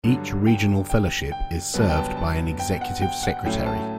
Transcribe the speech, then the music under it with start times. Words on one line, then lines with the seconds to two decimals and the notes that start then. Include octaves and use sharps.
Each regional fellowship is served by an Executive Secretary.
0.04 G2 D3 F#3
0.47 G5
0.90 G5
1.32 G5
1.74 G1 G2 F#3 B3
1.81 A5
1.89 G5
1.95 A5
2.17 A5
2.59 G5
2.81 F#5
3.02 G5
3.23 F#5
3.45 A2 F#3 A3 C#4 G5
3.66 A5